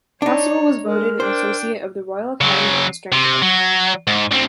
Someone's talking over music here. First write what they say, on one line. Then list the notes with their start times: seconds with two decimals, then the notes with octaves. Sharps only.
Constable was voted an Associate of the Royal Academy on the strength of it.
0.22 D4 D#4 C#5 D5
0.86 G#3 A#4
1.20 D4 C5 G5
2.41 C#3 F#3
3.12 C3
3.42 F#3
4.07 G#2
4.31 D2 C4